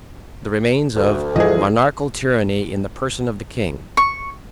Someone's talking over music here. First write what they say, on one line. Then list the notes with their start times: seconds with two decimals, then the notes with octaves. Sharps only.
The remains of monarchical tyranny in the person of the king.
0.96 D2
1.36 G2 E3 F3 G#4 D#5
3.97 C#6